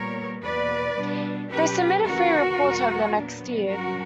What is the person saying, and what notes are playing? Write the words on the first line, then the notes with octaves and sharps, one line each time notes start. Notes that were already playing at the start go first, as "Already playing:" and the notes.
They submitted three reports over the next year.
Already playing: A#2 G3 B3 A#4 C#5
E2 B2 A#3 B4 D5
B2 G3 B3 D4
B2 F#3 C#4 G4 B4
D2 C#3 E3 F#4 A#4
E2 B2 G3 B3
A#2 F#3 B3 D4
G2 F#3 C#4 F#4 A#4